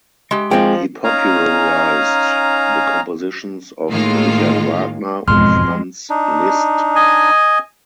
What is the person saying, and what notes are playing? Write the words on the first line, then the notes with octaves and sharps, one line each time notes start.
He popularised the compositions of Richard Wagner and Franz Liszt.
G#3 G4
F3 G#3 C4 G5
C#4 D#4 F5 G#5 A#5
A2 D#3 G#3 A#3 F4
E1 F2 G#2 B2 G#3 C6 F6
D4 D#4
D#5 G#5